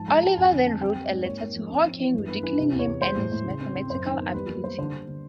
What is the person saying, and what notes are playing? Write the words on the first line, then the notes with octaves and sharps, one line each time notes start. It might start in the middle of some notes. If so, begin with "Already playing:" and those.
Oliver then wrote a letter to Hawking, ridiculing him and his mathematical abilities.
Already playing: G#2 F3 A5
G#3 A#5
G#3 A5
F2 G#5
D3
C4 A5
C4 G5
G3
D5
G#2
A#3 C#5
A#3
F3
C4
C4
E3
G2
B3 B4
E3 B4
C3
E2
C#5
E2
G#3 C5
A2
A2
C#3
C4
C4
F#2 C5
D#3
B3
G3 B4
A#3 B4
G3 C5
D3 C5
D3
D3